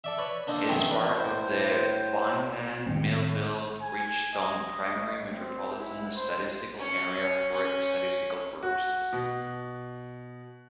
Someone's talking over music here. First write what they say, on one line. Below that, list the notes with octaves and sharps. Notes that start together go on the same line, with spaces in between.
It is part of the Vineland-Millville-Bridgeton Primary Metropolitan Statistical Area for statistical purposes.
A4 D5 E5
B4 C#5 D5 B5
A#3 D4 D#4 F4 A4
F#2 C3 D#3 A3 B3 C4
A#4 B4 D5
A2 C5
A2 D#3 C4
G#5
D#5
C4
E4
C5
C#4 C#5
C#4
F#4
B2